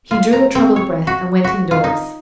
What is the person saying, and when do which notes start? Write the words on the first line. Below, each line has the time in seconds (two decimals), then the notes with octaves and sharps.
He drew a troubled breath, and went in-doors.
0.11 F4
0.33 A#5
0.55 C4
0.76 C#5
1.07 F#4
1.44 F#4
1.71 F4
1.84 D#4